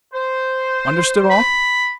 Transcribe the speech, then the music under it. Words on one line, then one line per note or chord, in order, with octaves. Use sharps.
Understood all?'
C5
B5